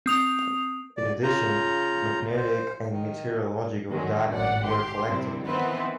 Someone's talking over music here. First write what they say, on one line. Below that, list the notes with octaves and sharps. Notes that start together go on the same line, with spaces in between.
In addition, magnetic and meteorological data were collected.
C4 D#6 F7
D5
C#3 F4 A#5 G6
C5
D#3
G#2 D3 D#3 F#3 G#3
G#1 A2 D5 F#5
G4 C6
G2 C3 C4 E4
D#3 E3 B3 C4 B4 C5